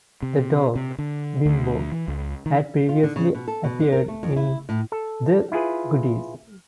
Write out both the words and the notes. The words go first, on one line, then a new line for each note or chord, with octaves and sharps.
The dog, Bimbo, had previously appeared in "The Goodies".
C3
C3
D3
D2
E3
C#2
D#3
F4
D3
C#3
B2
A4
B2
D3
A#4
A3
F2
E4
A2
A4
E4 F4 G#4 B4